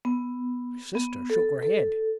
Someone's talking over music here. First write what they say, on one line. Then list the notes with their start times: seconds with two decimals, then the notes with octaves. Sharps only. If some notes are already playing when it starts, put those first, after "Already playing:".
My sister shook her head.
0.05 B3
0.95 B3
1.30 A4
1.63 A4